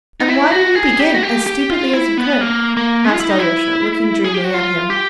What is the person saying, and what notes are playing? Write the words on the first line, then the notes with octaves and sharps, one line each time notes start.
"And why did you begin 'as stupidly as you could'?" asked Alyosha, looking dreamily at him.
D#4
E4
F#4
G#4
G4
F#4
G4
G4
F4
E4
B3
A#3
A#3
F4
E4
D#4
E4
G#4
G4
F#4
F4
G4